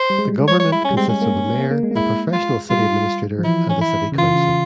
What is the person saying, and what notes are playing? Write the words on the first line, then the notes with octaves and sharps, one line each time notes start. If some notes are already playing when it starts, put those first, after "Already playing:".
The government consists of a mayor, a professional city administrator, and a city council.
Already playing: C5
G3
G#3
G3
C#5
C#5
E4
C#4
G3
G#3 C4
G#3 C#4
A#3
A#3
A#3
G#3
A#3
G#3 E4
F4
G3 F4
F3
E3 E4
C#4
E4
C#3
E3 F4
C#3